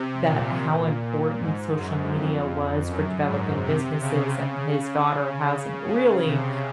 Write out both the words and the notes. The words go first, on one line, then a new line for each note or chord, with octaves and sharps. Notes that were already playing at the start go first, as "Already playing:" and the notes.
that how important social media was for developing businesses, and his daughter hasn't really
Already playing: C3
A#2
G#2
F#2
F2
F#2
G#2
C3
C#3
C#3
C3